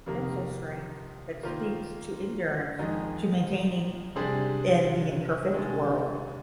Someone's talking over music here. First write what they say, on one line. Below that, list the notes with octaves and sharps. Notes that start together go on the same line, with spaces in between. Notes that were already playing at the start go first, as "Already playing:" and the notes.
Tensile strength, that speaks to endurance, to maintaining in the imperfect world.
F2 C3 D#3 A#3
D#3 A#3 F4 C5
F2 D#3 G#3 D#4
C3 G3 D4 G#4 C5
C3 D#3 G#3 D4